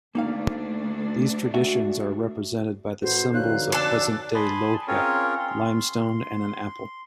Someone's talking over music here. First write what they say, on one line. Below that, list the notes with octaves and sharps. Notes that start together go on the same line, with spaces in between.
These traditions are represented by the symbols of present-day Lohja: limestone and an apple.
D2 A#3 D4 D#4 F5
F#4 E5
A1 F#4 A4 B4 C5
F2 D3 D#4 C#5 F5 F#6
D4 A4
G#5 A5 B5 C6 D#6
C4 C#4 F4 G#4 A#4 C#5
C6